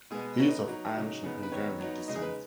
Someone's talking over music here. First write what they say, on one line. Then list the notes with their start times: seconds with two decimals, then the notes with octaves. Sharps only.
He is of Irish and Hungarian descent.
0.11 B2 G#3 B3 G#4
0.39 C#3 B3 D#4 C#5
0.49 D#5
0.68 F#3 D#4
0.96 C#3 F#3 D#4
1.23 C#3 B3 D#4
1.43 B4
1.52 D#3 B3 D#4 C#5
1.81 F#3 B3 D#4
2.08 C#3 G#3 D#4 D#5
2.16 G#4
2.22 B4